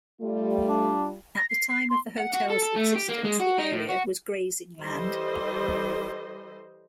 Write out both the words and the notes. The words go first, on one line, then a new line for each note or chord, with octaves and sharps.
At the time of the hotel's existence, the area was grazing land.
G3 A3 F4
D4
A#6
C7
C7
C6
F#5
F#4
A4
A4
A3
G4
A#3
G#3
F#4
D#4
A2
F#4
E3 G3 A4 C5 D#5